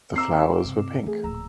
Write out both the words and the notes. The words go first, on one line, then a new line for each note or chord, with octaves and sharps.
The flowers were pink.
C4 A#5 D6 E6 C7 E7
G2 C3
E3 A3 G#4
D1 A#1 A#5 E6